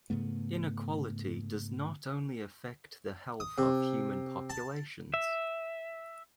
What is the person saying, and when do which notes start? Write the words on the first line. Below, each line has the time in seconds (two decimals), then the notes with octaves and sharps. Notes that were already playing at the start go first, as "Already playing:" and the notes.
Inequality does not only affect the health of human populations.
0.10 G#2 C#3 A3 B3
3.40 D#6
3.58 C3
4.50 A5
5.14 E5